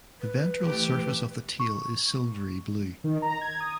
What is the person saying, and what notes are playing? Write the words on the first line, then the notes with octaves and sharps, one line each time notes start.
The ventral surface of the tail is silvery blue.
B4
E3 A3 G4
C#6
D#3
A#5
G#6
D#6